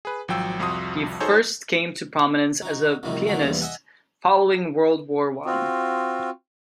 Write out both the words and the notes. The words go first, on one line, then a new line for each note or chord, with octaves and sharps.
He first came to prominence as a pianist following World War One.
G#4 B4
G#1 F3 F#3 G5 E6
C2 F2 F3 F#4 C6 D#6
D#4 F#4 G#4 A4 C5 C#5
F#3 D#4
C2 F2 A2 C3 D#3
D3 D#3 F#3 A3
A#1 E2 G2 F3
D#5 E5 F#5 G#5
C4 F4 F#4